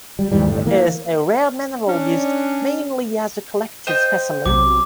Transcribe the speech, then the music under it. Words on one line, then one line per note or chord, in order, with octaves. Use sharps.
It is a rare mineral used mainly as a collectors specimen.
G3
D#2 G#2 E3 G3
G1 A2
E3 A#3
C#4 D4
C5 D#5 G5
B1 C3 F#3 D6